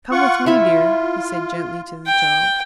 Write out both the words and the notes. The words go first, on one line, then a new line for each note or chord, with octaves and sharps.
"Come with me, dear," he said gently to the child.
F4 F#5 C#6
E4 F4 E5 B5
G5